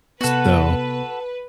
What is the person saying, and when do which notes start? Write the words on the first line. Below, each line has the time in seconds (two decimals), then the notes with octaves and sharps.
s so,
0.21 C3 B3 F#4 A4 B4